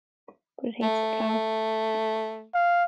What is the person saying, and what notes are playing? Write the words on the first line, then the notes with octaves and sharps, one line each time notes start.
But it hates the plow!
A3
F5